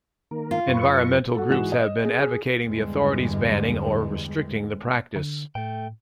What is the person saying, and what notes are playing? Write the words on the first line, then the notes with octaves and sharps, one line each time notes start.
Environmental groups have been advocating the authorities' banning or restricting the practice.
D#3 A#3 A#4
F4
F#2 B4 C#6
F#4 A4
G#2 E3 G#3 F#4 F#5 E7
D#5
G#4
G#4
E2 G2 D3 G3 G#3
D3
A2 A3 G5